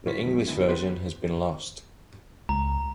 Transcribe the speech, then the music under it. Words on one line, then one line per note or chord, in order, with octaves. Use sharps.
The English version has been lost.
A2 E4 F4 C#6 B6
D#3 F#3 G#3
D3 D#3 G#3 B3 E4
B3 C4 G4 B4 C5
C#2 A#5